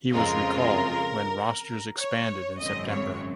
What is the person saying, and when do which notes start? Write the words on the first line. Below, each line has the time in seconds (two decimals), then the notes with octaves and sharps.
He was recalled when rosters expanded in September.
0.13 F2 C#3 G#3 C4 F4 A#4
1.98 C#5
2.59 G#1 F#2 C#3 F#3 C4 D#5
2.89 C#5